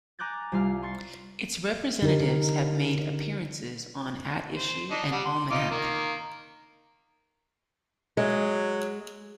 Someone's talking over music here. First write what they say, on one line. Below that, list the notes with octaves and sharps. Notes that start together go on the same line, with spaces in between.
Its representatives have made appearances on "At Issue" and "Almanac".
G#5 A#5 D6 F#6 G6 A6
C2 G3 F4 F5 F6
C6 C#6 A6 C7
D3 D#4 G4 A#4
C5
D4 D#4
G3 F#5
C6
D#4 F4 D6
D#3 A#3
F#3 G#3